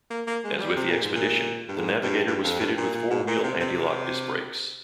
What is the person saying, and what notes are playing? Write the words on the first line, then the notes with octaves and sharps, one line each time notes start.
As with the Expedition, the Navigator was fitted with four-wheel anti-lock disc brakes.
A#3
A#3
G#3
F3
G3
C3
A#2
G#2
A#2
G2
G#2
G2
G2
F2
G2
A#2
A#2
G#2
A#2
C3
C3